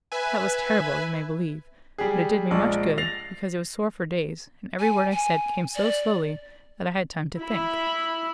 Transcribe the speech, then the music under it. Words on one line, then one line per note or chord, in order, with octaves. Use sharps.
That was terrible, you may believe, but it did me much good, because it was sore for days, and every word I said came so slowly that I had time to think.
B4 E5 G#5
G3 G4 G#4
A#1 G#3 D5 C#6
A6 A#6 C7 F7
G#5
G#5
D5
E4 B5